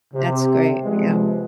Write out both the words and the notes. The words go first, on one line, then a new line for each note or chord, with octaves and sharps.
That's great, yeah.
C3
C3 F3 G3 G#3 B3